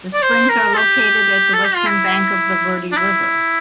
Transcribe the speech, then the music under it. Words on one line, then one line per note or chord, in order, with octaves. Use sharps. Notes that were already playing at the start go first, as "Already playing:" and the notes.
The springs are located at the western bank of the Verde River.
D5
C5
A#4
A4
G4
A4
G4
F4
E4
D4
E4